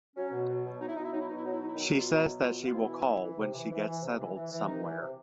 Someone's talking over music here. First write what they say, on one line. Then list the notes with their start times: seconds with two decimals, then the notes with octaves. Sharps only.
She says that she will call when she gets settled somewhere.
0.17 F#3 C#4
0.32 B2
0.49 F#3
0.65 B2
0.81 B2 D#4
0.88 E4
0.96 B2 D#4
1.04 E4
1.13 F#3 D#4
1.20 E4
1.28 B2 D#4
1.36 E4
1.44 F#3 D#4
1.52 E4
1.60 B2 D#4
1.67 E4
1.75 D#3 F#3 D#4
1.94 B2 F4
2.09 E3 F#3 E4
2.25 B2
2.42 B2 F3 F4
2.58 B2
2.66 F4
2.74 C3 E3 E4
2.90 E3
3.07 E3
3.23 E3
3.39 C3
3.54 E3
3.71 E3
3.87 E3
4.02 C3
4.19 E3
4.35 E3
4.51 E3
4.67 C3 D#3 D#4
4.83 E3
5.00 C3